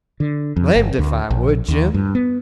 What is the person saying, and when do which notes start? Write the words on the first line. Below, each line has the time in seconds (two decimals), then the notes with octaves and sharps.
"Blamed if I would, Jim."
0.20 D3
0.56 F2
0.75 G1
0.99 D2
1.30 A#1
1.68 D#2
1.94 G2
2.15 B3